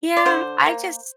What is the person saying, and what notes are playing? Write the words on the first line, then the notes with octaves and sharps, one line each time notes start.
Yeah, I just
D5
D3 C5
A#3